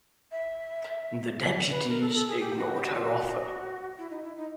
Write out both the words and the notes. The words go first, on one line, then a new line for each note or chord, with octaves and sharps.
The deputies ignored her offer.
E5
B4
A#4
A4
A#4
A4
G#4
G4
F#4
G4
F#4
F4
F#4
E4
D#4
E4
D#4